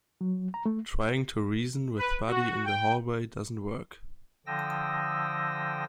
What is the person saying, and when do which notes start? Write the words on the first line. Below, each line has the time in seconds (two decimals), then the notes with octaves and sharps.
Trying to reason with Buddy in the hallway doesn't work.
0.21 F#3
0.54 A#5
0.66 A3
1.99 B4
2.28 F#4
2.65 G5
4.47 D3 F3 G5 D#6 E6 A#6